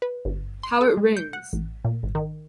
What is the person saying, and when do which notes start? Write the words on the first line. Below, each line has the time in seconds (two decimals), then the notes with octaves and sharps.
How it rings!
0.02 B4
0.25 G1
0.63 C6
0.81 A4
0.97 G#3
1.17 G6
1.33 F#5
1.53 A1
1.85 A#2
2.03 G#1
2.15 D#3